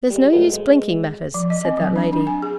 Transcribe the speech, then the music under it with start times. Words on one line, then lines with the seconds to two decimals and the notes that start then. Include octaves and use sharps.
'There's no use blinking matters,' said that lady.
0.10 G3 G#3
0.33 A2 F#3 G#3 A3 B3
0.53 G#3
1.34 F3
1.50 D#5
1.65 C4
1.78 F#3
1.96 D4
2.13 D4
2.27 G#5
2.42 G#4